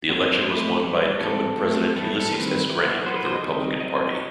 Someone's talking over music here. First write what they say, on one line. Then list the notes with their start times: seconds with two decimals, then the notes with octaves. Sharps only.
The election was won by incumbent President Ulysses S. Grant of the Republican Party.
0.09 F#3 C4
0.22 D#5
0.34 C5
0.46 E3 A3 C4 B4
0.83 E3 G3 B3
1.20 E3 G3 C4 A4
1.58 F#3 A3 C4
1.95 E3 G3 B3 A4
2.20 A4
2.32 D#3 G3 C4 B4
2.69 E3 B3
3.06 F#3 B3 C5
3.16 B4
3.25 C5
3.34 D#5
3.43 D#3 G3 C4
3.80 F#3 C4 D#5